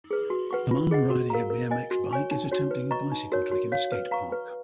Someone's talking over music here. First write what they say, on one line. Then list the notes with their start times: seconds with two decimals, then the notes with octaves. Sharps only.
A man riding a BMX bike is attempting a bicycle trick in a skate park.
0.11 G#4 B4
0.30 F#4
0.51 B4 F#5 C#6
0.71 F4
0.91 G#4 D#5 F#5
1.10 F#4
1.30 A#4 F5 A#5
1.50 A#4
1.71 D#5 G#5
1.91 F#4
2.11 C#5 G#5 C#6
2.31 D#4
2.52 F#4 C#5
2.71 B4
2.91 D#5 A#5 C#6
3.11 D#4
3.32 F#4 A#4 C#5
3.52 F#4
3.72 C#5 F5
3.92 B4
4.11 F5 A#5 C#6
4.32 B4